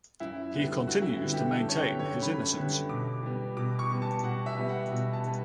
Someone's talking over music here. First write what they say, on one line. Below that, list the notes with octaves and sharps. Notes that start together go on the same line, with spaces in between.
He continues to maintain his innocence.
F#2 E4
D3 G3 B3
F#2 F#4
E4
F#4
D3 G3 B3
G4
F#2 A4
C#5
B4
D3 G3 B3
C#5
F#2 B5
D3 G3 B3
B2 D6
G3 B3
B2 D6
C#6
G3 B3
A5
B2 F#5
E5
G3 B3
F#5
B2
A5
G3 B3